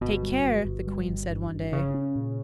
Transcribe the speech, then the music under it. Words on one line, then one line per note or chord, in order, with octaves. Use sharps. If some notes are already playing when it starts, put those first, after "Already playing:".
"Take care," the Queen said one day.
G1 B2
G3
G1
G1
G3
G1
G2
G1
C#3 C#4
C#4
A#2